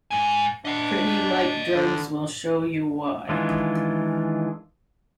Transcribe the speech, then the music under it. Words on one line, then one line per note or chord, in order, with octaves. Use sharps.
"Pretty Like Drugs" will show you why.
G#2 G#5
D4 D#5 F#5
D3
D#3 E3 G#3 D4 F4